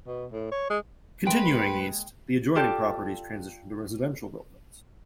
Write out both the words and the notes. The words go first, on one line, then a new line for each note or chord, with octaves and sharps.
Continuing east, the adjoining properties transition to residential buildings.
B2
A2
C#5
G#3
G#3 A#3 B4 G5 B5 C6
F4 G4 A4 D5